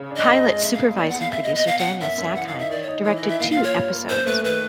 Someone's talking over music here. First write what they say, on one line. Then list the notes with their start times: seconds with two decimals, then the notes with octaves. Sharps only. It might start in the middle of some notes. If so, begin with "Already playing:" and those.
"Pilot" supervising producer Daniel Sackheim directed two episodes.
Already playing: C#3
0.11 D4
0.16 D#5
0.28 F2
0.45 G#3
0.63 F2 E5
0.74 F5
0.80 A#3
0.97 E2 D5
1.09 F#5
1.15 E2
1.20 F5
1.31 C3 E5
1.43 D#5
1.49 B3
1.55 D#5
1.67 B2 F5
1.79 F#5
1.84 C#4
2.01 F#2 E5
2.18 F#2
2.35 E3 F#5
2.47 F5
2.53 D#4
2.59 E5
2.70 D#3 D5
2.82 C#5
2.88 D#4
3.05 E3 C#5
3.16 D#5
3.23 E3
3.28 E5
3.39 A#2 F5
3.51 F5
3.57 F4
3.63 C#5
3.74 G2
3.92 A#3
4.09 F#2 C5
4.26 A3 B4
4.44 D#3 B4